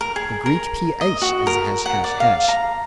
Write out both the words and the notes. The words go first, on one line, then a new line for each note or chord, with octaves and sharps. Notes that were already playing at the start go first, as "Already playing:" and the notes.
The Greek ph is ### .
A#4
G#4
A#4
D#5
F#4
A#4
F#5
D5
F5
A#5